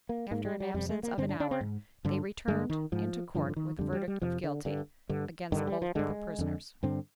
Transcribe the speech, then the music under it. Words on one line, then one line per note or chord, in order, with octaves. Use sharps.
After an absence of an hour, they returned into court with a verdict of "Guilty" against both the prisoners.
A#3
G#2 A#3
G3
G3
F2 C3 G3
G#3
A#3
G2 D3 C4
D4
D4
C4
G#2
G2 D3
G2 D3 G#3
D#3
G#2 F3
G2 D3 F3
D3
D#3
F2 D3 G3
G3
G3
F2 C3 F3
D3
G2 D3
G2 D3
G2 D3 D#3
G3
F3
G2 D3 G#3
F2 D3
G2 D3 C4